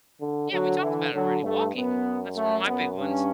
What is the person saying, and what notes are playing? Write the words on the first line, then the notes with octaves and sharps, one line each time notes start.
Yeah, we talked about it already, walking, that's one of my big ones.
D3
D3 F#3
E3
D3 F#3
G2 A3
F#2 B3
A3
B3
G2 C#4